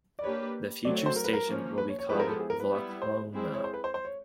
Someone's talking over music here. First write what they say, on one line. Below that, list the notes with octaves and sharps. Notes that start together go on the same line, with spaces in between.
The future station will be called Volkhonka.
D5
A#3 D4 G4 B4 C#5
F#3 A3 C4 D5
C#5
C5
A#4
B4
A#4
F3 A#3 C#4
B4
C#5
C#5
F3 G#3 B3 E4 G4 B4
A#4
A4
G#4
A#4
B4
G3 B3 E4
C5
G#3 C4 E4 G#4
C#5
C5
B4
C5
C5
C#5